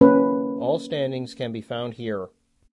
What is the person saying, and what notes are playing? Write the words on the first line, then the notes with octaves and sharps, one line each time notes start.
All standings can be found here.
A#3 C#4 B4